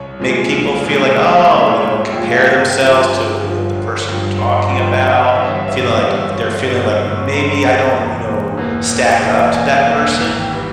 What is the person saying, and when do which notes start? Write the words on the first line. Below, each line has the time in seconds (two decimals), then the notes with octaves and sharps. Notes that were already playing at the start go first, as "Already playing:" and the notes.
make people feel like, "Oh" you know, compare themselves to, you know, the person you're talking about, feeling like they're feeling like maybe I don't, you know, stack up to that person,
Already playing: C2 C#5
0.20 A#2 F3 G#3
0.51 C2
0.83 A#2 F3 G#3
1.11 E5
1.15 C2 C#5
1.31 F5
1.38 E5
1.48 A#2 F3 G#3
1.59 E5
1.81 C2 C#5
1.95 C#5
2.02 E5
2.12 A#2 F3 G#3 G5
2.24 F5
2.34 E5
2.44 G1 F5
2.66 G5
2.76 G2 F3
2.88 G#5
3.09 G1
3.41 G2 F3
3.73 G1
4.05 G2 F3
4.38 G1 C6
4.60 A#5
4.71 G2 F3
4.82 G5
5.03 G1 F5
5.24 E5
5.35 G2 E3 E5
5.46 C#5
5.67 G1 E5
5.99 G2 E3
6.31 G1 C#6
6.64 G2 E3
6.84 F6
6.96 G1 E6
7.18 C#6
7.29 G2 E3 A#5
7.39 C6
7.61 E1 A#5
7.93 E2 E3 A#3
8.26 E1
8.57 E2 E3 A#3
8.89 E1
9.22 E2 E3 A#3
9.54 E1 G#5
9.76 F5
9.87 E2 E3 A#3
9.98 E5
10.19 G#1
10.40 G5
10.51 E3 G3